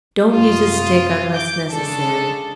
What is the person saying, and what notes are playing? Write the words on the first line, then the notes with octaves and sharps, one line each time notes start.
Don't use a stick unless necessary.
F#2 C3 F4 D#6
D6 G6
C#3 G#3 D4 A4